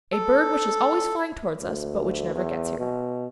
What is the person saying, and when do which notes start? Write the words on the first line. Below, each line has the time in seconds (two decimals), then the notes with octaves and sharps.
A bird which is always flying towards us but which never gets here.
0.12 A4
1.61 D2
2.35 E2
2.79 B2